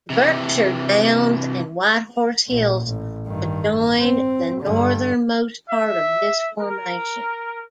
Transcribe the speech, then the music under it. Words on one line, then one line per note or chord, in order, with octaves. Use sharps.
The Berkshire Downs and White Horse Hills adjoin the northernmost part of this formation.
C3 E3
A#1 A#2
A1
G2 D#3
C4
G2 D3
E5
A#4